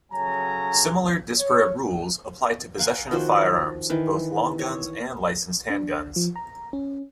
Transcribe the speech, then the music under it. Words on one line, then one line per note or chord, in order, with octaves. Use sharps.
Similar disparate rules apply to possession of firearms, both long guns and licensed handguns.
C#3 F#3 A4 C#5 G#5 A#5
C#5
A#4 F5 F#5 G#5
D#3 F3 F#4 C5
D#3 E3
C#5
D4
F3
A#5
C#4